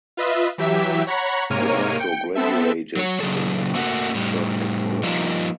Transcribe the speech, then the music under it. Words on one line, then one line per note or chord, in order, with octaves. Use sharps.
He also graduated in architecture technology.
F4 B4 D#5 E5
E3 F#3 G4 E5 B6
C#5 F#5 A#5 B5 C#6
G#2 C3 A#3 A#4 C#5 D#7
G5 G6 C#7 D7
B3 C4 A4 E5
F#3 C#5
A#2 C#3 F#3 G#4 A4
A3 A#3 F#4
A2 G3
F3 G3 A#3 D#4 F4